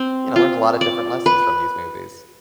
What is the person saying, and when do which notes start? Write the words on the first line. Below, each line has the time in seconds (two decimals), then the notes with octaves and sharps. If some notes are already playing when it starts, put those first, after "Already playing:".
you know, learned a lotta different lessons from these movies.
Already playing: C4
0.36 F4
0.81 D5
1.26 B4